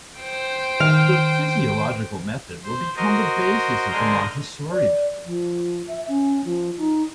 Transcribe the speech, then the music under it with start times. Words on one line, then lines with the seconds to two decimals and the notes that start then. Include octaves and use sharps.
The physiological method will become the basis of the Montessori method.
0.19 C5 G5
0.80 D#3 F5
2.64 C5
2.97 F#4 A#4 C5 D#5
3.90 D3 G#3 A#4 C5 D#5
4.72 D5
5.25 F3
5.88 E5
6.08 C#4
6.45 F3
6.78 D#4